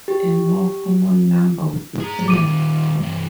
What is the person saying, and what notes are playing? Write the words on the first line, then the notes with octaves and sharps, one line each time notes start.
A more common number would be three.
G4
G#4 A#5
A2 G3 D6 D#7
D#3 G3
G2 E3